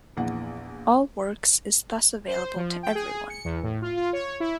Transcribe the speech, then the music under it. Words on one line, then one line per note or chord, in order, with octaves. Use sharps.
All works is thus available to everyone.
A#1 E2 F#5
C5
F3
G5
G#4
C#7
E2
A2
F4
F4
C#5
E4